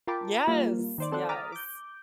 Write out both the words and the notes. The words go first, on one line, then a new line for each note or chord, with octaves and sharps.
Yes, yes,
F4 A#4 G5 A5 B5 D6
G3 A#3 F4
D#3 C5 D5
C4 A4 C5 D5 F#5
A#5 D6 D#6 F6 A6 B6
D6 G6